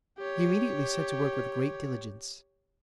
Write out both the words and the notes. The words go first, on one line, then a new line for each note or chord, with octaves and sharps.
He immediately set to work with great diligence.
G4 C#5